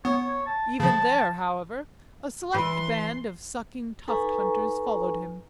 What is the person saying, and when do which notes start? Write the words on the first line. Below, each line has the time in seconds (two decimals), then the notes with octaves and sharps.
Even there, however, a select band of sucking tuft-hunters followed him.
0.05 B3 C#5
0.23 C#5
0.46 A5
0.80 C#3 F3 A5
2.54 E3 B4 C6
4.08 D#4 A4 B4 G#5 A#5 C#6